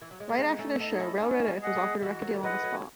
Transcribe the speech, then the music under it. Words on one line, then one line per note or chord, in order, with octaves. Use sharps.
Right after their show, Railroad Earth was offered a record deal on the spot.
E3
F#3
G#3
A3
G#3 B3 D#4
A3 C#4
B3 D#4 A4 D#5
D#4
C#4 E4
B3 C#4 D#4
G#3 B3
G#4 D#5 F#5
G#3 B3
E3 G#3 F#4
D#3 F#3
A3
E3 G#3 B4 D#5 F#5
F#3 A3